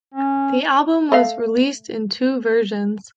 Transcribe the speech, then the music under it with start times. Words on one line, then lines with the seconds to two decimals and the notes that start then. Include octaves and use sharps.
The album was released in two versions.
0.14 C#4
1.12 A3 D#5 F5